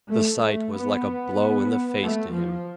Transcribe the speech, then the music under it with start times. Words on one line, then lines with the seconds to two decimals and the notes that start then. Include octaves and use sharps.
The sight was like a blow in the face to him.
0.09 A3
0.42 A3
0.74 B3
2.01 A3
2.32 F3